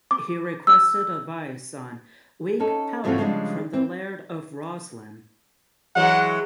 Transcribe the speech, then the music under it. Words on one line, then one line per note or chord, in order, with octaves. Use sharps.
He requested advice on "weak powder" from the Laird of Roslin.
D6
E6
C#4 D#4 A4
G2 E3 A3 C4 F4 F#4
C#3 F3 G3 G#3 D4
C4
E3 F#3 G#3 F#5